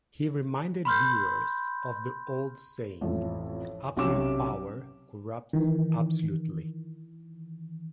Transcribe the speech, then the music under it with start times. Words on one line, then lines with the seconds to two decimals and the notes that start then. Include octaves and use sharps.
He reminded viewers of the old saying "absolute power corrupts absolutely".
0.85 B5 C6 F6 G6
3.01 A1 F2
3.97 B1 C3 C#4 D6 E7
5.53 D#3 E3